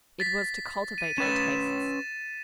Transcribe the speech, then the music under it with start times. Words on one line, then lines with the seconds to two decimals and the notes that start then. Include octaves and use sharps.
It was to cultivate her tastes.
0.20 A6 B6
0.98 D#7
1.18 C#4 B4 C#5 A6 E7